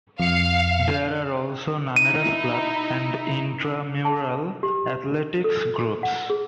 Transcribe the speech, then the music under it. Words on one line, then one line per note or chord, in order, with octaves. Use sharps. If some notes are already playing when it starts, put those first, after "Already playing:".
There are also numerous club and intramural athletics groups.
F2 F5 C#7
D#4 E4 D#7
A5
G4
A4
F#5
G#4